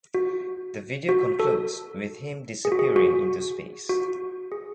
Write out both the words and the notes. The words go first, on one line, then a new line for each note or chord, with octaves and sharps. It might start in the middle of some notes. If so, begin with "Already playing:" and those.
The video concludes with him disappearing into space.
F#4
F#4
A4
G#4
F#4
G#4
F#4
F#4
G#4